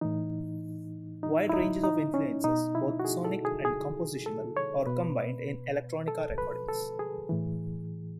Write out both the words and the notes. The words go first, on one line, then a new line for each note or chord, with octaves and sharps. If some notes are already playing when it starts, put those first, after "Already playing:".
Wide ranges of influences, both sonic and compositional, are combined in electronica recordings.
A2 E3 D#4
D#4
E4
D#4
D#4
C#4
B2 D#4
E4
F#4
G#4
A4
G#4
G#4
A4
C#5
B2 B4
A4
B4
A4
G#4
A2 E3